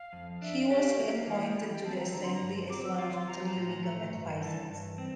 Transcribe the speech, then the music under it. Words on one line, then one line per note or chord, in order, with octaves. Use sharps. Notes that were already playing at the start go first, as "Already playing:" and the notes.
He was reappointed to the Assembly as one of three Legal Advisors.
Already playing: F5
F2
D4 E5
F5
G4
F5
A#3 E5
F5
E3 F5
G5
G3
G5
C4 A5
A#5
D3 A#5
C6
A#5
G2
C4 D6
E6
F4 D6
C6
F3 A#5
A2
A3
G2
E3 A5
G2
C4 G5